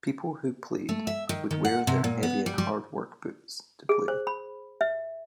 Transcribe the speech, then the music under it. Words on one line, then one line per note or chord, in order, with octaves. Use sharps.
People who played would wear their heavy and hard work boots to play.
A3
E5
D#3
D#3
F#5
C3
A#2
B3
G3
G3
G#4
C5
B5
E5